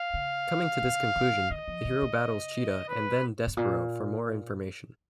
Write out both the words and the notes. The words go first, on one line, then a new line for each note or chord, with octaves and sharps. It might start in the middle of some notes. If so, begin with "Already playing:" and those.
Coming to this conclusion, the hero battles Cheetah and then Despero for more information.
Already playing: F5
C#3
C#3
D#3
D#3 D#5
F3
D#3
C#3
B4
G#2
A#2